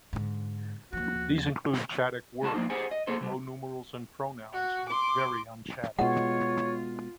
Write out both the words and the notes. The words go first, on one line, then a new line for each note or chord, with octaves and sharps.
These include Chadic words, but low numerals and pronouns look very un-Chadic.
G#2 D3
D#2 F3 F#4
C#2 G#3 F#4 A5
F3 F#3 A#3 C4 D#4
G4 G#4 C5 F#5 G#5
D#5
A#3 C4 G#4 A4 C5
C3 G3
F#4
C6 D6
B2 G#3 F4 C#5 F#5